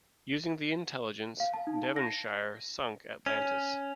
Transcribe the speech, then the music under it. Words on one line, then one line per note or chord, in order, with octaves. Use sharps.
Using the intelligence, "Devonshire" sunk "Atlantis".
F5
A5
D#4
A5
A#6
C#4